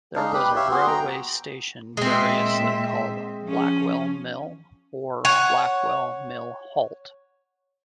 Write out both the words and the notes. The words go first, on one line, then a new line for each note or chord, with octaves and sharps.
There was a railway station variously called "Blackwell Mill" or "Blackwell Mill Halt".
G#3 D4 D#4 F5
G4 B4 B5
G4 C#5 E5 F5
B3 F#4 G#4 C6
G5 A#5
A#2 G#3 C4 E5
F3 C#4
C#5 F#5